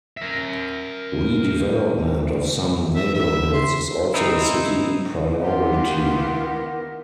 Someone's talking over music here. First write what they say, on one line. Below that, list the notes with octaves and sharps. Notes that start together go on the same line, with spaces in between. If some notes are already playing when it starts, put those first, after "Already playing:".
Redevelopment of some neighborhoods is also a city priority.
A#4 E5
E5
E5
C6
C4 D#4 E4
D#3 E3 B3 F4 G4 F#5
A#4